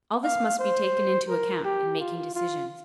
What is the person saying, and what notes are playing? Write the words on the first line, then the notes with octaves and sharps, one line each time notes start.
All this must be taken into account in making decisions.
F5
C5
A#4
G4
F4
F4